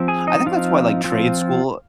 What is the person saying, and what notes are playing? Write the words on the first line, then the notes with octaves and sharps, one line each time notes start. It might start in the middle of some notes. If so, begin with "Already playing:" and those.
I think that's why, like, trade school
Already playing: F3 C4
G#4 G#5
D#4 D#5
F3 C4 D#4 F4 F5
F3 C4 F4